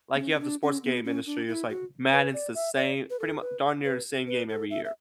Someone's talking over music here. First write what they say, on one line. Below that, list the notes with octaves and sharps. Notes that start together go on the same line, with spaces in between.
Like, you have the sports game industry, it's, like, Madden's the same pretty much darn near the same game every year.
B3
C#4
C#4
D4
C#4
B3
C#4
D4
E4
F#4
B4
D5
E5
D5
B4
A4
B4
B4
B4
A4
E5
E5